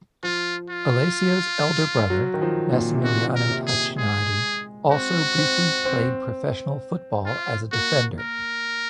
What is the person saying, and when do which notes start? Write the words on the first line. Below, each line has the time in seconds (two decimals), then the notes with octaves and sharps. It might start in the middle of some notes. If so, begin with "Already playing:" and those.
Alessio's elder brother, Massimiliano Tacchinardi, also briefly played professional football as a defender.
0.23 F3 F4
0.70 F4
2.10 F#3
2.34 D#3
2.42 F3
2.73 A#2
2.94 C3
3.04 A#2 F#4
3.27 A#2
3.35 A#4
3.51 C3
3.66 G#4
3.74 C3
3.97 G#3 G#4
4.91 C4 F#4
5.38 C4
5.85 C4
7.26 F4
7.72 A#3 F#4
8.19 A#4